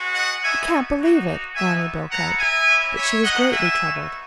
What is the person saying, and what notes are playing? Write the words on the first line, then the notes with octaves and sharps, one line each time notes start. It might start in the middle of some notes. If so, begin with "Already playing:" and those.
"I can't believe it," Annie broke out, but she was greatly troubled.
Already playing: G#3 B3 F#4
D#5 F#5
B3 D#4 F#4 E5 G#5
A#3 D#4 F#4
B3 D#4 F#4 E5 G#5
B3 E4 F#5 A#5
E5 G#5
A#3 C#4 E4
C#5 E5
G#3 D#4 F#4 D#5 F#5
E5 G#5
B3 D#4 F#4